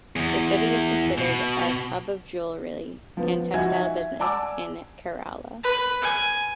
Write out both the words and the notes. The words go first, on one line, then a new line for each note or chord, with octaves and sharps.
The city is considered as hub of jewellery and textile business in Kerala.
E2
B2
F3 B3
F3 D#4 F#4 E5 G#5 G#6
E5
D5 F#5 G#5 A5 D6 E6
B4
G#5